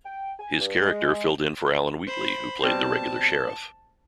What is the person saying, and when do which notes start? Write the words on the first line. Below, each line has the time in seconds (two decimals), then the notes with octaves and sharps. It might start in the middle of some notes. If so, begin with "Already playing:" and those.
His character filled in for Alan Wheatley, who played the regular sheriff.
0.05 G5
0.38 G#5
0.59 G2
0.79 G#3
2.07 C5 B5
2.63 B2 G3 C4 A5